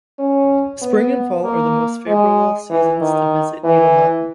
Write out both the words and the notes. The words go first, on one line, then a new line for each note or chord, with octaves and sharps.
Spring and fall are the most favorable seasons to visit Needle Mountain.
C#4
B3
A#3
G#3
E3
D#3
E3